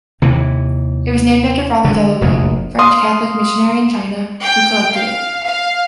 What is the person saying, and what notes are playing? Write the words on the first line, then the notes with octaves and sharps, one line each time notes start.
It was named after Father Delavay, French Catholic missionary in China, who collected it.
D#2 C3 E3
D3 G#3
F1 A#1 E2
F5 C6 D#6
G5
F5
F5